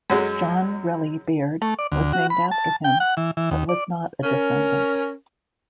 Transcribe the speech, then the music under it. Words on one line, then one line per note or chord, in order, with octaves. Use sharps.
John Relly Beard was named after him, but was not a descendant.
F#2 F#3 G#3
A3
D5
D2
F#4
B5
A5
G5
F#5
E3
E3
D#2
D5
C#4 A#4